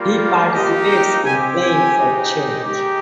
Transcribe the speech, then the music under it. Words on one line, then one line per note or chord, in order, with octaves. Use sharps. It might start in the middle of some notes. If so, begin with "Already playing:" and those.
He participates in Playing for Change.
Already playing: G3 A#3 F4
A#3 D#4 G4 D#5
G5
C4 G4 G#5
G#5
G#3 D#4 G4
G#3 D#4 G4